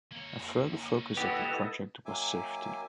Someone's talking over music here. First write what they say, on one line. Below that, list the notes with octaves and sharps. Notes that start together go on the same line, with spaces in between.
A further focus of the project was safety.
A#3 C#5
E4 F#4 G4 A4 B4 D#5 F#5
D#3 F#3 A#3 E5 G#5 D6